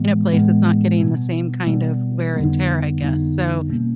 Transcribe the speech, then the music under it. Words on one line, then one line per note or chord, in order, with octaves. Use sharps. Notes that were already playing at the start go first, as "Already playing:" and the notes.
place that's not getting the same kind of wear and tear, I guess, so
Already playing: A2 E3 G#3 B3
A2 E3 G#3 B3
B2 G3 B3
B2 G3 B3
F2 D3 G3 B3 D#4
F2 D3 G3 B3 D#4
B2 G3 A#3 C#4